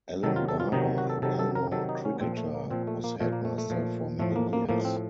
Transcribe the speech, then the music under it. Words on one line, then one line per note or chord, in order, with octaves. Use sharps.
Alan Barber, a well known cricketer, was headmaster for many years.
C3 D#3 F#3 A4
F4
A4
F4
C3 D#3 F#3 D#4
F#4
A4
C3 D#3 F#3 A4
A4
A#4
C3 D#3 F#3 A4
D#4
C#4
A#2 F3 C4
A3
A#3
A#2 F3 C4
A3
A#3
A#2 F3 A3
A#3
A3
A3
A#2 F3
A2 F3 A3
A#3
A#3
A2 F3 A#3
C4